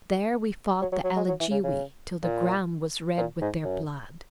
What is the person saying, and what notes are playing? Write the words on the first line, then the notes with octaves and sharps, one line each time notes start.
There we fought the Alligewi, till the ground was red with their blood.
F#3
F#3
F#3
G#3
F#3
E3
C#3
C#3
A#2
A#2
G#2
F#2